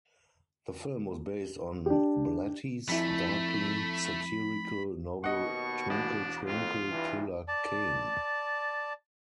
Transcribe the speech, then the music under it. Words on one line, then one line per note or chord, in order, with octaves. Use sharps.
The film was based on Blatty's darkly satirical novel "Twinkle, Twinkle, "Killer" Kane".
D4 G4
F2 A3 E4 B5
D#2 B2 D#5 F#5 C#6
E1 D4
F2 F4
G2 E3
D5 A5